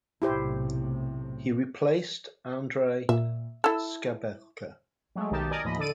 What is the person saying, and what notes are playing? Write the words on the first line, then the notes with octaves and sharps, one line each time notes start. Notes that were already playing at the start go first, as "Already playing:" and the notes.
He replaced Andrei Skabelka.
B1 A2 C3 E4 G4 C5
A#2 E5
E4 A4 E6
F#3 G#3 A3
B1 D#3 D#4 G4 A5
A#4 D5 D#5 G#5
D#2 A2 F3 D#5 B5
D3 A4 D5 D#7